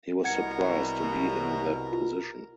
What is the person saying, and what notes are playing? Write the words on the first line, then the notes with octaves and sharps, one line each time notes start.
He was surprised to be in that position.
C2 B2 A#4 F#5 G#6 C#7
F4